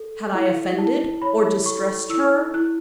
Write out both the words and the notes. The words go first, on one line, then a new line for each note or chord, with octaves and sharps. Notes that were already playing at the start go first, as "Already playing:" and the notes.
Had I offended or distressed her?
Already playing: A4
E4
E4 A5
C#5 B5
A4 C#6
E4 E6
E4 F#6